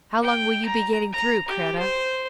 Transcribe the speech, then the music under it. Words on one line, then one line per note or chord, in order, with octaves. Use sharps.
"How long will you be getting through, Kreta?"
G5
A#5
A#5
G4
C5